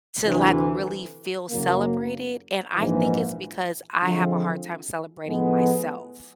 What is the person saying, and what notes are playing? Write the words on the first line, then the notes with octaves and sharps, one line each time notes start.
to, like, really feel celebrated? And I think it's because I have a hard time celebrating myself.
D2 C3 E3
F#1 F#2 C#3 F#3 A#3
A#1 G#2 E3
D3 F3 G#3 C4 F4
A2 F3 G#3 B3